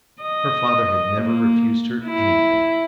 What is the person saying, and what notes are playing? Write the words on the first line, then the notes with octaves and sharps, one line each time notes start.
Her father had never refused her anything.
D#5
A#3
E4